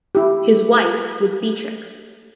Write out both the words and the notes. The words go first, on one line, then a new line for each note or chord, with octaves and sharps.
His wife was Beatrix.
E4 G4